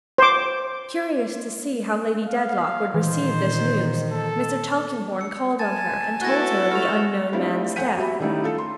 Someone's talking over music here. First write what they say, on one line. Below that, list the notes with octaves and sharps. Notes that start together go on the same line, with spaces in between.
Curious to see how Lady Dedlock would receive this news, Mr. Tulkinghorn called on her and told her of the unknown man's death.
C5 D6
F5
A#2 D#3 E3 C5
A4
E6 C#7
G#5 A5 A6
B3 E4 F#4 A4 F#6 G#6 A#6
A3 F6 E7 F7
G3 A3 C4 D4 E4 F4
F2 F#5 G#5 G6 B6 D#7
F#4 G4 E5 B5
D#3 G3 A3 C#4 D#4 E4
F4 A4
C6